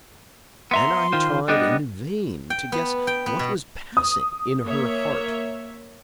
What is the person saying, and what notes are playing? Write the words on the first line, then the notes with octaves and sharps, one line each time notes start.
Then I tried in vain to guess what was passing in her heart.
B3 E5 A#5 C6
D#3 F4 C5
G3 B3 D4 D#5
G5
B3
G5
B3
B2
D#6
A#3 C#5 E5